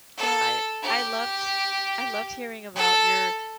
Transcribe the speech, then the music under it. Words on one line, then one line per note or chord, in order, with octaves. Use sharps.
Well, I I loved I loved hearing about your,
A4
G4
A4